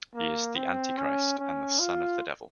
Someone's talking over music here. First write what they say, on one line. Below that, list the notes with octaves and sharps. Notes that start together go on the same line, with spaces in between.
He is the Antichrist and the son of the Devil.
A#3
C4
C#4
C#4
F4